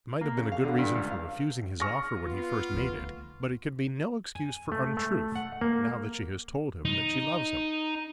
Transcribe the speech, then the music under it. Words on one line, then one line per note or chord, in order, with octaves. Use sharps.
"That might have been a good reason for refusing his offer when he first made it; but it can be no excuse for untruth, now that she has told him that she loves him!"
A#3
C#3
F5
D3
G2
C#2
F5
C#6 F6 A#6
B3 F4
D2 D#4
G#5
A3
A3
F#5
A#3
D#4